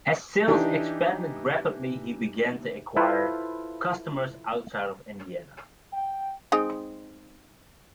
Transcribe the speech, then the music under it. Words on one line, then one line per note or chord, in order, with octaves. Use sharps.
As sales expanded rapidly he began to acquire customers outside of Indiana.
E3 D4 D#4 G4
E4 F4 A4 B4 C5 F5
G5
G#3 C4 D#4